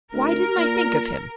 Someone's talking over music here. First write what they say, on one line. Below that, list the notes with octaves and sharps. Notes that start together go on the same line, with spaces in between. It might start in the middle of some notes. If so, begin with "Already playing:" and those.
Why didn't I think of him?
D2 A#4
A#2